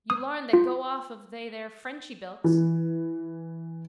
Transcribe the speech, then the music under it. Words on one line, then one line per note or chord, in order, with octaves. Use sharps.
You larn that go off of they there Frenchy bilks?
D#6
F4
E3